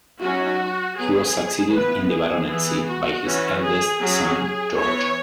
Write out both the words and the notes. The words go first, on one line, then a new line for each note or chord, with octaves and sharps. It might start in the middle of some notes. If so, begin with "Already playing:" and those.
He was succeeded in the baronetcy by his eldest son George.
F#3 C#4 F#4
F#3 B3 G#4
E3 B3 B4
G#4
E3 B3
F#4
E3 C#4
G#4
F#3 C#4 G#4
E3 B3 C#5